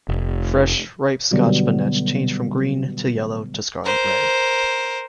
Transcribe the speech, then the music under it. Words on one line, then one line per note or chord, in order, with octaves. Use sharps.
Fresh, ripe scotch bonnets change from green to yellow to scarlet red.
F1
B2 D3 F#3 G3 B3
A#4 C5